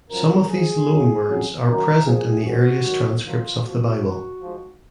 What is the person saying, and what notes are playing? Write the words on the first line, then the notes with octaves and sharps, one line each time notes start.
Some of these loan words are present in the earliest transcripts of the Bible.
F#2 F3 A#4
G#2 F3 G#4
F#2 C#3 F#3
F2 C#3 F#3
F#2 D#3 F#3 A#4
A#2 F3 G#4
G#2 D#3 F#3 F#4
G#2 D#3 F#3
F2 D#3 F#3 F4
F2 F3 F#4
F#2 D#3 F#3
G#2 F3